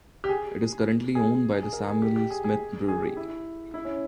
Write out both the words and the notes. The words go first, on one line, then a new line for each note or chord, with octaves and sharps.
It is currently owned by the Samuel Smith Brewery.
G4
G#4
G#4
G#4
A#4
G#4
G4
G4
G#4
G#4
G#4
G4
E4
E4
C#4